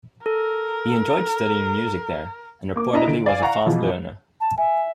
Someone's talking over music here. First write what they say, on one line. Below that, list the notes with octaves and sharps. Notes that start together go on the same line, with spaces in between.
He enjoyed studying music there, and reportedly was a fast learner.
A4 A#4
A#3 D6
D4 E4 D#5 A#5
D3 D7
D5 F5 G#5
F5 F#5 A#5 C#6
B2 E3 F3 F4 G#4
A5
E5 G#5